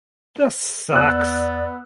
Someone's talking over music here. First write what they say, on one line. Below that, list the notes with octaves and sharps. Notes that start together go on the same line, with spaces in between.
This sucks.
E2 B3 D5 E6 F#6